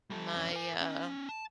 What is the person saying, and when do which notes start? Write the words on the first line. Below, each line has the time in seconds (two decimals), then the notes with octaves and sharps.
my, uh
0.10 G3 A4
0.36 F2 C#4
0.52 A#4 G#5
0.81 B3 C#4
1.29 A5